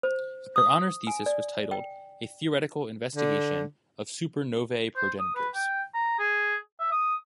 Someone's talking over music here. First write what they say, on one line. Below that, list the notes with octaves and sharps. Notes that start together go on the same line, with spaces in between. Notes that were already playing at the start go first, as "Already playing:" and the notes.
Her honors thesis was titled "A Theoretical Investigation of Supernovae Progenitors".
C5
D#6
G#5
D5
G5
D3
C5
D#6
B4
G5
A#5
G#4
E5
D#6